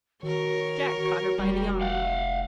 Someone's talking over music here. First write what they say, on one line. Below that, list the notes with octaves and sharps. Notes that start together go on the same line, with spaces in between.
Jack caught her by the arm.
D#3 F#4 A#4 C#5
F1 G3
F5 F#5